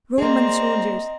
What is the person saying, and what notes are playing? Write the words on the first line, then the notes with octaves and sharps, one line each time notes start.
Roman soldiers!
A#3 C4 G#4 C5 D5 D#5 A#5